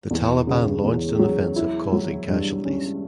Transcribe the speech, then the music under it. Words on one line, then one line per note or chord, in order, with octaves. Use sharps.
The Taliban launched an offensive causing casualties.
E2
C#3
E2
F#3
E4
F#3
G2
C#4